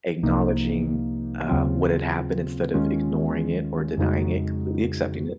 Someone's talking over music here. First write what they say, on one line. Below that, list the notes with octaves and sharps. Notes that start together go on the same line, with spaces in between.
acknowledging, uh, what had happened instead of ignoring it or denying it, completely accepting it.
C2 C3 F3 A#3 D#4
D#2 C#3 F#3 C4 F4
D#2 D#3 G#3 C#4 F4
F2 C#3 G#3 D#4 F#4